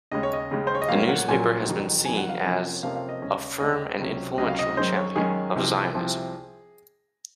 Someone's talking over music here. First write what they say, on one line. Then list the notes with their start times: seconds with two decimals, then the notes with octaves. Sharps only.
The newspaper has been seen as "a firm and influential champion of Zionism".
0.11 D#2 C#3 G#3 C#4 D#5
0.23 C#5
0.33 D#5
0.51 D#2 C#3 G#3 C#4
0.67 C5
0.75 C#5
0.82 D#5
0.89 A#1 A#2 F#3 A#3 C#4 F5
1.09 F#5
1.28 A#1 A#2 F#3 A#3 C#4 G#5
1.66 F#1 F2 D#3 F#3
2.05 F#1 F2 D#3 F#3 G#5
2.17 F#5
2.29 F5
2.41 F2 C3 F3 A#3 C#4 F#5
2.83 F2 C3 F3 A#3 C#4 F5
2.96 F5
3.09 D#5
3.22 D#2 C#3 G#3 C#4
3.60 D#2 C#3 G#3 C#4 D#5
3.99 C#2 C3 F#3 C#4
4.38 C#2 C3 F#3 C#4 D#5
4.49 F5
4.59 D#5
4.77 F#2 D#3 G#3 C#4 C5
4.96 C#5
5.16 F#2 D#3 G#3 C#4 G#4
5.55 C2 C3 F3
5.94 C2 C3 F3